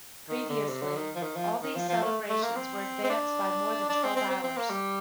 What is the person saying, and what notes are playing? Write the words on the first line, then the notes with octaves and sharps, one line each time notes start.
Previously, all these celebrations were advanced by more than twelve hours.
D#3
D3
C3
D3
D#3
F3
D#3
F3
D#3
F3
F3
A3
A3
A#3
C4
C4
D4
D4
C4
C4
C4
C4
A#3
G3